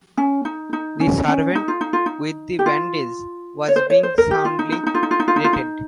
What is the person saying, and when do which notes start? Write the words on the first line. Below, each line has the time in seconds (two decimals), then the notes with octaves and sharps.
The servant with the bandage was being soundly rated.
0.17 C#4
0.45 D#4
0.73 D#4
1.00 C#4
1.28 C#4
1.55 D#4
1.68 F4
1.81 D#4
1.93 F4
2.06 D#4
2.59 G4
2.66 F4
3.68 C#5
3.76 C5
3.90 C#5
4.03 C5
4.18 A#4
4.31 G4
4.45 F4
4.59 D#4
4.72 D#4
4.87 D#4
4.95 F4
5.03 D#4
5.11 F4
5.20 D#4
5.28 F4
5.36 D#4
5.44 F4
5.53 D#4